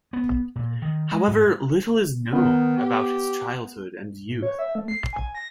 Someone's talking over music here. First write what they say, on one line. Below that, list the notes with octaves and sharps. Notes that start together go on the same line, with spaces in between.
However, little is known about his childhood and youth.
B3
A#2
D#3
G#3
G#2
D#3 B3
G4
A2
C#5
E5
A3
C7
G#5
A#6